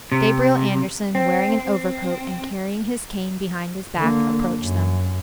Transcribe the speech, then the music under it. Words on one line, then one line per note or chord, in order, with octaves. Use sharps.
Gabriel Andersen, wearing an overcoat and carrying his cane behind his back, approached them.
C3
C4
D3 A#3
F#2